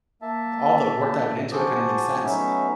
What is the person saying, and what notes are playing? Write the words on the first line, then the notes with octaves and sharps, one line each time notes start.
all the work that went into it kinda makes sense.
A#3 E5 A5
F#4 G#4 C5 A5 D6 D#6
F#3 A3 B3 C#4 D#4 E5